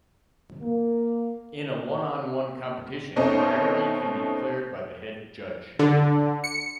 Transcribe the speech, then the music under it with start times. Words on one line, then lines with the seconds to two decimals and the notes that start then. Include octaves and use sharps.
In a one-on-one competition, priority can be declared by the Head Judge.
0.62 A#3
3.16 B2 A3 C4 C#4 D#4
5.79 D3
6.44 C#7